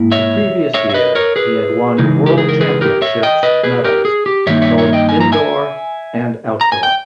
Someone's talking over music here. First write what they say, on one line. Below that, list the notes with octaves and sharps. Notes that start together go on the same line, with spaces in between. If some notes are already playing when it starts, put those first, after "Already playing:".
The previous year he had won World Championships medals both indoor and outdoor.
Already playing: G#2 A#3 E4
C#5 E5
C#5 E5
E5
B4 D#5
A#4 C#5
G#4 B4
C#3 E3 G#3 D#4
G4
G#4
A#4
G#4 B4
G4 A#4
C#5 E5
D#5 G5
B4 D#5
G#4 B4
G4 A#4
G#4
G4
G2 D#3 A#3 D#4 C#5 E5
C#5 E5
C#5 E5
D#5 G5
G#5
A#5
E5 G#5
A#5
G#5
G5